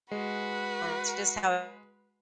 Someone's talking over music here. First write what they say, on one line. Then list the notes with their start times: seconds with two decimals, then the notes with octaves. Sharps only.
it's just how
0.11 G#3 F#4 B4